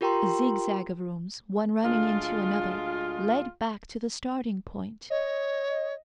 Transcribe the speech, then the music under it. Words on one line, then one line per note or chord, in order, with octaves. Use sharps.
A zigzag of rooms, one running into another, led back to the starting-point.
F4 G4 A#4 G5 A#5 C6
D2 G#3 F4
C#5 D#5